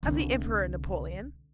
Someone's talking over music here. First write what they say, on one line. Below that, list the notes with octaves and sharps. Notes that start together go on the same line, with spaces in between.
Of the Emperor Napoleon?
C2 D3